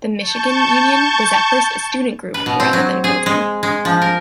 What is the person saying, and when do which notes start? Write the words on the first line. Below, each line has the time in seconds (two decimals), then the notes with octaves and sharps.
The Michigan Union was at first a student group rather than a building.
0.18 A5 C#6 G6
2.34 B4
2.46 B2
2.60 C4
2.73 F#3
3.04 G#4
3.26 G#3
3.63 G#3
3.85 F3
4.02 A#4